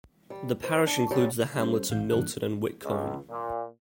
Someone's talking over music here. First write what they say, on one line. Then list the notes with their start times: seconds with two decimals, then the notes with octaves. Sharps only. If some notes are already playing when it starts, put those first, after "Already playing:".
The parish includes the hamlets of Milton and Witcombe.
0.30 G3
0.63 E3 C5
0.86 D4
1.11 G#2 F#3 G3
1.56 G3 C#4 A4 C5
1.90 A1 F5 G6
2.10 G2 E3 A#3 D4 F#6
2.84 C#2
3.30 A#2